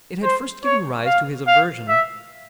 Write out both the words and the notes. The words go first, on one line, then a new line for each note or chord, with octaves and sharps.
It had first given rise to his aversion.
C5
C#5
F5
F5
E5